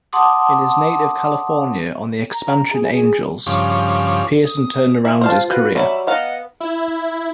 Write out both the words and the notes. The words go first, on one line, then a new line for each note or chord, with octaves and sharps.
In his native California, on the expansion Angels, Pearson turned around his career.
F#5 A5 C6 D6 D#6
A#5
G#4
G#4
G2 C#3 F3
D#6
E4
F4 C5 F5 A5
F4 F#4 B4
F#3 G3 E5 B5
B3 D#5 F5 F#5 A#5
E4